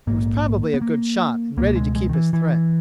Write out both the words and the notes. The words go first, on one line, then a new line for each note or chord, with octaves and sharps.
He was probably a good shot, and ready to keep his threat.
A#1 G#2 A#3
B3
A#3
C#2 B2 A#3
G#3
G#3
D#3
E3
E3